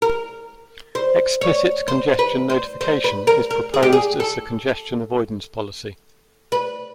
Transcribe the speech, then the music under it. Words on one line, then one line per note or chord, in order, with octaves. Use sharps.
Explicit congestion notification is proposed as the congestion avoidance policy.
A#4
C5
C#5
C5
B4
C5
C5
B4
A#4
A#4
G#4
G4
G#4
A4
B4